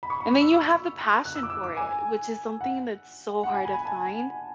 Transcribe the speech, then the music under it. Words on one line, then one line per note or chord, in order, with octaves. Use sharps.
And then you have the passion for it, which is something that's so hard to find.
B5
C#6
B5
C#6
E6
E6
F#6
E6
D6
E6
D6
G#5
F#5
F#5
G#5
B5
G#5
A5